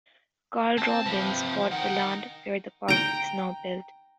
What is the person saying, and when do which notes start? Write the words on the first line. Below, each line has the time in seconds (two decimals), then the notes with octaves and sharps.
Karl Robbins bought the land where the park is now built.
0.78 C4 A5
1.06 C3 F3 B4
1.71 D#4 A#4 F#5 G5
2.88 G5 A#5